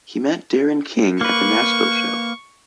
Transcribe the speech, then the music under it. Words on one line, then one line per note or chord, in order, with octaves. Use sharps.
He met Darren King at the Nashville show.
A#3 B4 C#6